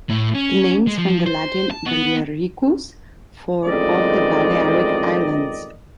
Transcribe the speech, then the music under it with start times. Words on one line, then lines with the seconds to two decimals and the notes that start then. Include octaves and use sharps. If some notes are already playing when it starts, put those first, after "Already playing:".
The name is from the Latin "Baliaricus" for "of the Balearic Islands".
0.09 A2
0.35 C#4
0.88 G#3
0.99 F3
1.27 C5
1.71 A5
1.86 B3
3.66 A1 F2 D#3 G#3 D5 D#5